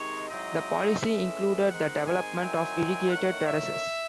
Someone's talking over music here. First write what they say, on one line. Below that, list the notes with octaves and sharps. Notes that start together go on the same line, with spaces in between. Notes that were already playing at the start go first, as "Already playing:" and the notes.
The policy included the development of irrigated terraces.
Already playing: C3 D#3 G#3 D#4 C#5
G#2 F#3 C4 E4 D#5
A2 E3 G#3 C#4 E5
G#2 D#3 G#3 C4 F#5
G#5
D#3 F#3 C4 E4 G#5
D#3 A3 C#4 E4 F#5
E5